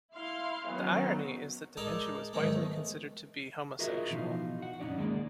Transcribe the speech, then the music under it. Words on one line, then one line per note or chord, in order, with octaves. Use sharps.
The irony is that da Vinci was widely considered to be homosexual.
E4 F5 C6
D#3 F#3 B3 C#4
G#3 D#4 A4 A#4 D5
B1 E2 G#2 D#3 G#3 A3
F4 F#4 G#4 A#4 D#5 E5
B2 E3 F3 D#4 F4
F#4 F#5
B1 F#2 C#4 D#4 D5 F#5
D#2 G#3 A#3 G#4 A#4 D5